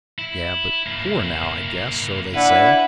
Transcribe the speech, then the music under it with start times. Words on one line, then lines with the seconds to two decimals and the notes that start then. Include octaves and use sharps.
"Yeah, but poor now, I guess; so they say."
0.19 E4
0.87 A#3 E4
2.34 D4 E4 B4 F#5